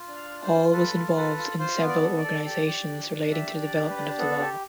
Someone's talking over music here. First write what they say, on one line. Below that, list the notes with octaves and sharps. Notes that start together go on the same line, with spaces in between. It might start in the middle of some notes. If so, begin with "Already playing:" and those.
Hall was involved in several organizations relating to the development of the law.
Already playing: F4
D4
F5
F4
C5
F4
A4 B4
F4
A4 B4
F4
F4 C5
B3
D5
A4
D5
A4
G4
G4
D4
D4
G4 E5
D4
D5
G4
B4
D4
B3 A4
G4